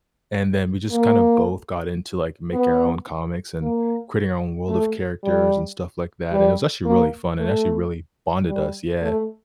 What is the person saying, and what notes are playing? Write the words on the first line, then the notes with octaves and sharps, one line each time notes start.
And then we just kinda both got into, like, making our own comics and creating our own world of characters and stuff like that, and it was actually really fun, and actually really bonded us. Yeah.
A#3
B3
A#3
A3
G3
G3
A#3
A3
G3
A3